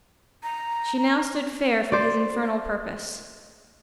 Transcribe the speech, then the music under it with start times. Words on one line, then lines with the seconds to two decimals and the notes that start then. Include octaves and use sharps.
She now stood fair for his infernal purpose.
0.43 A#5
1.92 C5 D5